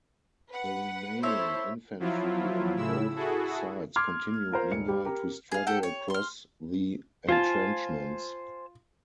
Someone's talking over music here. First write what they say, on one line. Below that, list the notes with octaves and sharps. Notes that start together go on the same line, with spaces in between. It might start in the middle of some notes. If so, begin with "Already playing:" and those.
The remaining infantry on both sides continued meanwhile to struggle across the entrenchments.
B4 F#5
E4 A4 C5 C#5 E5
F3 F#3 E4 F4
A2 C#3 E4 E6
E4 F#4 G#4 A4
C6 D6 F6 G#6
F4 A#4 C5
D#1 C#7
G3 G4
G4 A#4
G#4 F5
G4 A4 F#5
C#5
C6 F6
F4 C5 G#5 A5